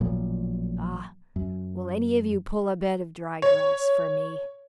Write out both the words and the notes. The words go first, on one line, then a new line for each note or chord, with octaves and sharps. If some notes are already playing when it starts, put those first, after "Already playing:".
Ah, will any of you pull a bed of dry grass for me?
A1 A#2 F3 F#3
F#2
C#5